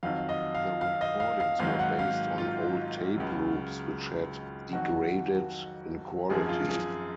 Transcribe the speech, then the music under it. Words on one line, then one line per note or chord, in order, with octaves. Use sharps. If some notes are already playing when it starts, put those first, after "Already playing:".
The recordings were based on old tape loops which had degraded in quality.
F2 D#3 F#3 F5
D#5
F5
F5
D#5
F5
F5
G#1 G#2 D#3 F#3 F5
F#5
F5
F4
C#2 C#3 F#3
F2 D#3 F#3 F#4
G#1 F#2 F3 G#4
F4
G#4